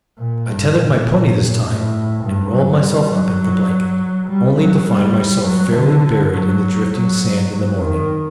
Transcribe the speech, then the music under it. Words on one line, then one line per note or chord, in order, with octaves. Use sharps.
I tethered my pony this time, and rolled myself up in the blanket, only to find myself fairly buried in the drifting sand in the morning.
A#2
G2
A#2
A2
G2
F#3
G3
F#3
G3
F#3
G3
F#3
D3
F#3
F#3
F#3
D#3